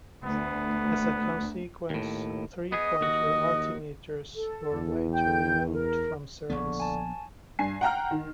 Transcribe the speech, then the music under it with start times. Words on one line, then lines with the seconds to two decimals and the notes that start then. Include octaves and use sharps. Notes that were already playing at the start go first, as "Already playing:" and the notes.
As a consequence, three-pointer altimeters were later removed from service.
0.24 D2 B3
1.90 D#2 A2
2.72 B3 G#4 D#5
3.01 D#2 F#4
4.35 A4
4.72 E2
5.13 G5 G6
5.73 A#4
6.50 A#1 D3 F3 B3 C#5
6.80 G#5 A5
7.59 G2 G#5 C7
7.81 F#5 G5 A#5 F6
8.11 D#3